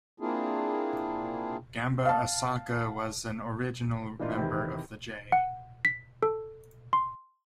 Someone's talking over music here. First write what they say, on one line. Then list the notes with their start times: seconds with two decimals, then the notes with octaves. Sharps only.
Gamba Osaka was an original member of the J.
0.20 A#3 C4 D4 E4 F4 G#4
2.05 F5 A5
4.19 E3 A#3 D4 D#4 F4
4.35 E2 C3 D#3 C4 E4
5.32 F#5
5.85 B6
6.23 A4
6.93 C6